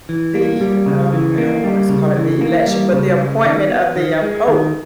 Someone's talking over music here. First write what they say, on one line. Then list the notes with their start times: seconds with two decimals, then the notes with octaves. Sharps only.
the el um, I I don't wanna call it the election, but the appointment of the, uh, pope,
0.09 E3
0.35 A#3
0.61 G3
0.86 C#3
1.12 E3
1.38 A#3
1.64 G3
1.89 C#3
2.16 E3
2.41 A#3
2.67 G3
2.93 C#3
3.18 G#3
3.45 D#3
3.70 B3
3.96 D#3
4.22 G#3
4.48 D#3